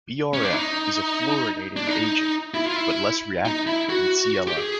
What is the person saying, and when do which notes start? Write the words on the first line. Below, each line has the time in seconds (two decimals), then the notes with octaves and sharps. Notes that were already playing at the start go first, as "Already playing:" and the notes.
BrF is a fluorinating agent, but less reactive than ClF.
0.34 C#4
0.43 D4
0.53 D#4
1.77 D4
1.87 D#4
2.54 E4
2.66 F4
2.76 E4
3.45 D#4
3.67 E4
3.89 F#4
4.47 G4
4.57 G#4